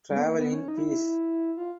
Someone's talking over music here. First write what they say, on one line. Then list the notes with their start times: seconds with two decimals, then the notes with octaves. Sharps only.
Travel in peace.
0.09 G3
0.16 B3
0.23 A#3
0.38 B3
0.53 C#4
0.68 D#4
0.77 E4
0.88 E4
1.57 F4